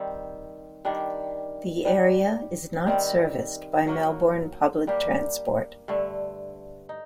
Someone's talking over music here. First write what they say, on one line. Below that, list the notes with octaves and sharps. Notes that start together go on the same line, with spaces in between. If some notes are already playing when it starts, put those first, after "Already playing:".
The area is not serviced by Melbourne public transport.
Already playing: D#3 G3 C4
D#3 G3 D4
G3 D4 G4
D#3 G3 C4
F#3 A#3 F#4
G3 A#3 D4 G4
G2 D3 A3
D#4